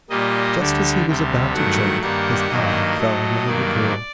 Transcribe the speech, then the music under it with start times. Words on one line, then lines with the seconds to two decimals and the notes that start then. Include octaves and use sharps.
Just as he was about to drink, his eye fell on the little girl.
0.10 A#2 G3 A#3 D#5
0.58 D2 D3 G3
1.06 D2 C3 G3
1.53 G2 D#3 F#3 A3 F#5
2.01 G2 D#3 G3 A#3 F#5
2.49 G2 D#3 F#3 A#3 D#5
2.97 A2 F#3 A3
3.45 G2 D#3 F#3 A#3 D5